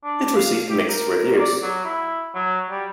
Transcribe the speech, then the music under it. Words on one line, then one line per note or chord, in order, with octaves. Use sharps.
It received mixed reviews.
D4
F5
G4
A#4
D5
F#3
E4
F#3
G3